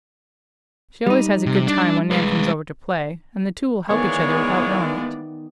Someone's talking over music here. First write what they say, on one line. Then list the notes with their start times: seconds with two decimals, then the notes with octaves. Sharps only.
She always has a good time when Nan comes over to play, and the two will help each other without knowing it.
1.06 G3 D#4
1.46 C3
1.67 D4
2.11 G#3 B4
3.90 D#3 E3 G#3 A#3 B3 G#4 C#5 D5